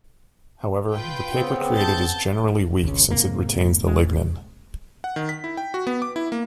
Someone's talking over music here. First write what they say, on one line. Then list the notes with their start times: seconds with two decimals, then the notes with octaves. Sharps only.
However, the paper created is generally weak since it retains the lignin.
0.92 F4 B4 G5
1.34 C#3 B3 C4
1.74 A5 G6 A6
2.83 G#1 C#2 C#4
3.11 G#2 C3 A#3
3.87 G#3
4.00 E1 A1
5.04 F#5
5.16 D#3
5.29 B6
5.44 E4
5.57 G5
5.74 F#4
5.87 B3
6.02 D6
6.16 E4
6.32 A#3